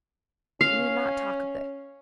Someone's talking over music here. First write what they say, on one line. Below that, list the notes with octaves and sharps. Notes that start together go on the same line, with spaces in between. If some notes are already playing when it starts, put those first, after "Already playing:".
You need not talk of this.
C#4 F5